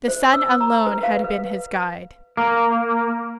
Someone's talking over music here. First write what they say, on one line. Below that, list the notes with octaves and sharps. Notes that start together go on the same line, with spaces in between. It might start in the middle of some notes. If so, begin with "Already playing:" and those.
The Sun alone had been his guide.
C5
E6
A#5
B4
F5
B4
A#3